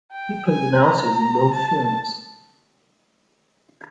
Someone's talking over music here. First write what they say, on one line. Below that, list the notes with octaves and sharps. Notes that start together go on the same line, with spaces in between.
He played announcers in both films.
G5
G#5
A#5
A5